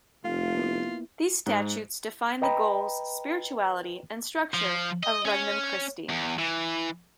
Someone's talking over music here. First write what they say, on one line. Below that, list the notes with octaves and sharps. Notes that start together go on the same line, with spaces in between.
These statutes define the goals, spirituality, and structure of Regnum Christi.
F1 A3 F4 F5
A#3 B3 E4
G#2
B4 D#5 G5 A#5 B5
F3
D#5
C#4
E2
E3